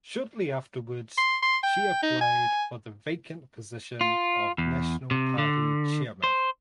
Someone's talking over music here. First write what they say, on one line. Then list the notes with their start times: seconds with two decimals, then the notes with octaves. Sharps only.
Shortly afterwards she applied for the vacant position of national party chairman.
1.17 C6
1.43 C6
1.63 G5
2.03 D#4
2.21 G#5
4.01 F4
4.58 E2
5.11 C3
5.38 D3
6.24 C5